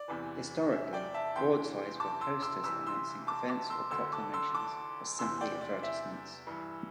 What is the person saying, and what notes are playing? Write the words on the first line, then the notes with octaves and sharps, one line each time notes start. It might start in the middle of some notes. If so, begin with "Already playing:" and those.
Historically, broadsides were posters, announcing events or proclamations, or simply advertisements.
Already playing: D5
E2 C3 E3
E5
D5 G5
E5 A5
E2 C3 E3 G5 C6
A5 D6
C6 E6
C6 E6
C2 C3 E3 E6
C6 E6
A5 D6
A5 D6
C6 E6
D2 D3 C6 E6
A5 D6
C6 E6
A5 D6
E2 C3 E3 C6 E6
D5 G5
D5
E5
G2 E3